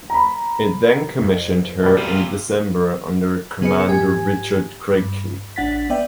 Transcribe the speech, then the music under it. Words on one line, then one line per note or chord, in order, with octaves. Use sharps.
It then commissioned her in December under Commander Richard Creyke.
A#5 B5
F2
B2 G3
C3 F4
C#3 B3 G#4 B4 D#5 C#7
G#2 G4 G#5 G#6
G2
A1 D4 F#5 A6 B6
B3 D5 E5 G5